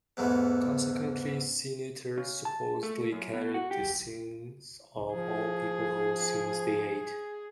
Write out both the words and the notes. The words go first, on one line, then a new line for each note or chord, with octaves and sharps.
Consequently, sin-eaters supposedly carried the sins of all people whose sins they ate.
E2 G#2 E3 A3 B3
C#3
A5
A3
F#2
B2
F#4
G4
F3 G#4